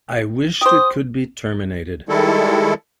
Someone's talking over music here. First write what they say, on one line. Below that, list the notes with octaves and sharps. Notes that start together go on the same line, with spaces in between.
I wished it could be terminated.
G4 C5 D#6
D#3 G3 G#3 E4 A4